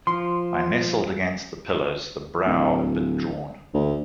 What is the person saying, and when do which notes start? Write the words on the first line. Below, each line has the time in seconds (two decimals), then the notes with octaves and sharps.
I nestled against the pillows, the brow a bit drawn.
0.07 F3 C6
2.46 D1
3.74 D2